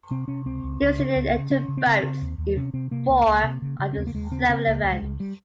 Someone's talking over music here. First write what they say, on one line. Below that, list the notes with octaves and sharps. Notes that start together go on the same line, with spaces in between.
New Zealand entered boats in four of the seven events.
C3 C4
C3 C#4
C#2 C4
C#2
C#2
C#3
C#2
C#3
C#3 C#4
C#3
C4
C#3
C#3
D#2
D#2
C3 C#4
C3 C4
C3 A#3
C#2
C#2
C3
C#3
C#3
C#4
D#2 C4
A#3
D#2 G#3
C#3 C4
C#3 C4
C#2 A#3
C#2
G#3
C#2
G3